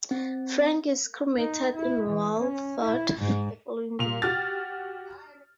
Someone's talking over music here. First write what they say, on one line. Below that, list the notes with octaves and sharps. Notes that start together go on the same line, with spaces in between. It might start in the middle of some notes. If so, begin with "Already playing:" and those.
Frank is cremated in Walford the following day.
C4
D#4
E4
E3
C#4
E4
G#2
A#2 F7
F#4 G4 F6 A6